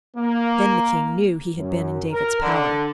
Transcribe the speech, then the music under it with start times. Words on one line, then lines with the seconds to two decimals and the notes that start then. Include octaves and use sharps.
Then the king knew he had been in David's power.
0.17 A#3
1.56 F#2
2.11 A#4
2.41 D3